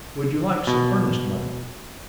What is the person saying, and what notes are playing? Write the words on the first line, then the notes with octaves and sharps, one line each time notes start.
"Would you like some earnest-money?"
B2